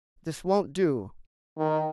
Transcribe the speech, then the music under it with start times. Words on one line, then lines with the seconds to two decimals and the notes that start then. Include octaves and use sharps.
This won't do.
1.58 D#3